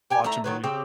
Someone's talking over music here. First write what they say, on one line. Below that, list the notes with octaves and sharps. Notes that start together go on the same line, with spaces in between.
Watch a movie.
G4 G5 G#5
A3 E4 E5 A#5
D#3 F#3 B4
C#3 C4 G4